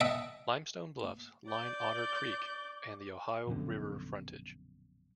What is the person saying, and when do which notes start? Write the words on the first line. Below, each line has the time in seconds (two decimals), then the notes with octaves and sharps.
Limestone bluffs line Otter Creek and the Ohio River frontage.
0.01 D#5 E5 F#5 G5 A5
1.48 D5 D6 G6
3.47 A#1 F#2 B2 D3